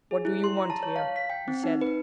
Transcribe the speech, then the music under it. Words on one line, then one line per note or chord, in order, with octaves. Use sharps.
"What do you want here?" he said.
G#4
E4
C6
A#5
A5
C#5
F5
B6
G5
C4
D#4
B4